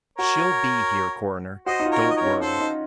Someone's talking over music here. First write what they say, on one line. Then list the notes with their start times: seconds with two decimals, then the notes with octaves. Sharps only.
"She'll be here, coroner, don't worry."
0.18 F#4 A#4 C#5
1.66 F#4 C5 D#5
1.80 D#4
1.86 F4
1.91 A#4 C#5
2.04 D#4
2.11 D#5
2.17 A#4 C#5
2.23 C#4
2.41 D#4 A4 C5
2.61 D#4